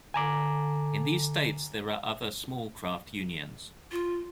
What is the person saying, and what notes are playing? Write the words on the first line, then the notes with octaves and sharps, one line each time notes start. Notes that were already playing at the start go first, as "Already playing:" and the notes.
In these states there are other small craft unions.
D3 G#5 A#5 D6
F4